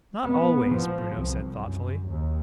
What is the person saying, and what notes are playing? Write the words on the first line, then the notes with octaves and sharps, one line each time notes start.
"Not always," Bruno said thoughtfully.
B3
F3
C2
F#2
D#2